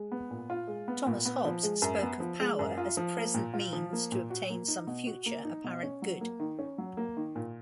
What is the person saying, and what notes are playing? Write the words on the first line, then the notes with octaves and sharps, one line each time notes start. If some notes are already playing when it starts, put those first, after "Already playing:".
Thomas Hobbes spoke of power as present means to obtain some future apparent good.
Already playing: G#3
B3
A#2
F4
G#3
B3
A#2
B3
F3
G#3
F#2
B3
F3
G#3
F#2
F4
F3
A#3
A#2
F4
F3
A#3
A#2
F#4
A#3
D#4
B2
F#4
A#3
D#4
B2
C#4
F#3
A#3
D#3
C#4
F#3
A#3
D#3
A#2